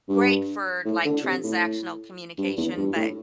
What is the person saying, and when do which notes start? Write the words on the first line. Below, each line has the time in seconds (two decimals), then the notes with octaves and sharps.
great for, like, transactional communication, but,
0.09 G2
0.85 A2
1.05 D3
1.24 C3
1.43 A2
2.38 G2
2.57 E2
2.77 G2
2.95 A2